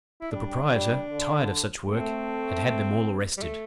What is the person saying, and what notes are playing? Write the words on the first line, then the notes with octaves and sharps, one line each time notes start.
The proprietor, tired of such work, had had them all arrested.
E4
G3 D4
G3
D3
A3 C4
G3
A3